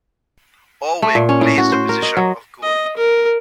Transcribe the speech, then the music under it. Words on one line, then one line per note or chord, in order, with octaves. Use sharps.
Orwig plays the position of goalie.
A3
A#2
C#4
A2
F#4
C5
A#4
D#5
F#3
D#5
A#4